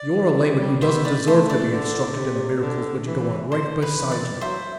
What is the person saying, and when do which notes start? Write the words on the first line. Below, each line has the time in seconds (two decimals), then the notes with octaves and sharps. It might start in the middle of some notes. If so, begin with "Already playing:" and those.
You're a layman who doesn't deserve to be instructed in the miracles which go on right beside you.
Already playing: D5
0.15 E3
0.37 G3
0.60 G3
0.82 B3 C5 E5
1.05 D5
1.27 A3 C5 E5
1.50 D5
1.72 D3
2.17 C3
2.62 D3
3.07 E3
3.51 D3 C5
3.82 B4
3.97 E3
4.11 D5
4.41 F#3 C5 E5